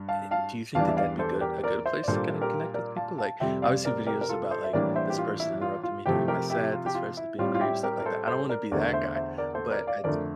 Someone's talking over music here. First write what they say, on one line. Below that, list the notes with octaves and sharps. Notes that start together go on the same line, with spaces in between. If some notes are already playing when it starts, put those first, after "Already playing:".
eh do you think that that'd be good a good place to kinda connect with people? Like, I always see videos about, like, this person interrupting me during my set, this person's being creep stuff like that, I don't wanna be that guy. But I'd j
Already playing: G2
F5 A5
F5 A5
E2 E3 G3 D4 F5 A5
E5
D5 F5
A4 C5
G4 A#4
A#4 D5
C5 E5
D5
A#2 G3 A#3 D4 A4 C5
A4
G4 A#4
A#4 D5
F5 A5
F5 A5
F2 C3 G3 C4 E5 G5
D5 F5
A#4 D5
G4 A#4
A#4
F4 A4
A4 C5
E5
A2 E3 G3 A#3 D4 A#4 D5
C5 E5
G4
F4
E4
F4
F4
C3 F3 A3 E4 G4
G4 A#4
E4 G4
F4
G4
F4
E4
A2 G3 C4 F4
F4
E4 G4
G4 A#4
A#4
A4 C5
A4 C5
A#4 D5
E2 D3 A3 A#4 D5
C5 E5
C5 E5
A#4 D5
A4 C5
A#4 D5
D5 F5
F2 D3 A3 A#4 D5